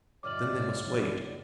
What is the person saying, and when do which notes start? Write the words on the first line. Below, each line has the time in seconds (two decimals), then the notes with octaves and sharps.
Then they must wait.
0.23 C#2 F#2 A2 C#5 D5 D6 F6 F#7